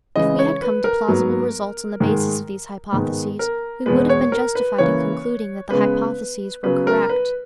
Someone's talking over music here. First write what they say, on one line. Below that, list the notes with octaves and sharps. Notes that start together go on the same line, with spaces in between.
If we had come to plausible results on the basis of these hypotheses, we would have been justified in concluding that the hypotheses were correct.
C#3 E3 G#3 D#5
C#5
B4
A#4
G#2 F#3 B3
G#2 D#3 G#3
G#2 D#3 G#3 B3
A#4
E2 B2 G#3 B4
C#5
A#4
B4
C#3 E3 A#3 C#5
C#3 G#3 B3 B4
C#3 F#3 B3 B4
A#4
B4